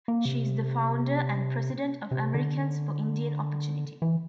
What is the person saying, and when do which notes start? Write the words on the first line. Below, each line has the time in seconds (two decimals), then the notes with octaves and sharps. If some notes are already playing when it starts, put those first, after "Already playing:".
She is the founder and president of Americans for Indian Opportunity.
0.08 A#3
0.25 C3
2.11 C3
2.34 D3
4.02 E3